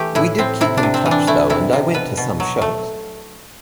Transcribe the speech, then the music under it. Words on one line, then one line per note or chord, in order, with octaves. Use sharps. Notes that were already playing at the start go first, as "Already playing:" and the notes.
We did keep in touch though and I went to some shows.
Already playing: E3 A3 G4
A2 E4
A2 C4
C3 E4
D4
C3
C4
E3
D4
A3 E4
C3 E4
C3
B2 B4
B2
F#3
A3